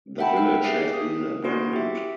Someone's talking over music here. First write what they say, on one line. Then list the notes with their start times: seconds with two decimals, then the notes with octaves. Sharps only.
The village has been abandoned.
0.18 E5 F#5 G5 A5 B5
0.36 F5 G5 E6
0.64 G4 G#4 E5 C7
0.93 D#6
1.43 A#3 C#4 E4 F#4 C6
1.73 G4 E5